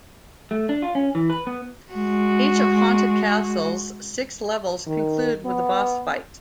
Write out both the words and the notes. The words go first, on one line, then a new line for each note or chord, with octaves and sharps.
Each of "Haunted Castle"'s six levels conclude with a boss fight.
A3
D4
F4
C#4
E3
B4
B3
G#3 F#4
D#3
B3